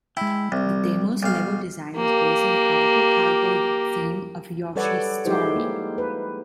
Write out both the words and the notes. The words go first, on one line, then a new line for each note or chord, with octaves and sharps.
The demo's level design was based on the colorful cardboard theme of "Yoshi's Story".
G#3 E4 G5
C2 G3
B1 F5
A#3 G4
G3 A4 B4 C#5 D5 F#5
F3 G#3 D#4 E4 G4 C5
A#3
B4